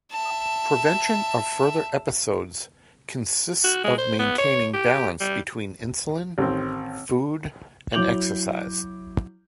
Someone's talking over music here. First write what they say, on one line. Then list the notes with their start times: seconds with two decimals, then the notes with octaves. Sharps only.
Prevention of further episodes consists of maintaining balance between insulin, food, and exercise.
0.12 E5 A5
3.64 F#4
3.84 G#3
3.98 C5
4.19 B3
4.39 C#5
4.74 G4
5.21 G3
6.38 A1 D#3 C4
7.92 F#3 E4 D6 G6 F7 F#7